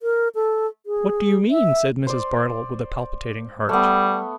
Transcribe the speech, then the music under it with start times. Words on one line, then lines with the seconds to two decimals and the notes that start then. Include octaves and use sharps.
'What do you mean?' said Mrs. Bardell, with a palpitating heart.
0.02 A#4
0.35 A4
0.86 G#4
1.50 E5
2.07 C5 D5
3.69 G3 A3 B3